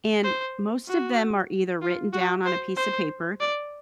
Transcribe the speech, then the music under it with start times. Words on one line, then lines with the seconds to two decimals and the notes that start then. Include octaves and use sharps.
and most of them are either written down on a piece of paper,
0.24 C5
0.88 F#4
1.82 F4
2.13 F#4
2.45 C5
2.77 C5
3.40 D5